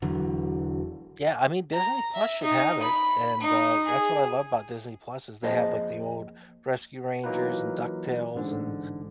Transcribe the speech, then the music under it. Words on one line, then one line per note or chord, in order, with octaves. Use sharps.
Yeah, I mean, Disney Plus should have it, and, uh, that's what I love about Disney Plus is they have, like, the old Rescue Rangers and Duck Tales and
E1 D3 E3 F#3
A#5
E5
D#4
B5
D#4
G#4
F2 A#3 G#4 C5 D#5 A5
E3 F#3 A#3 D#4 F4 B4
A1 G#2 D3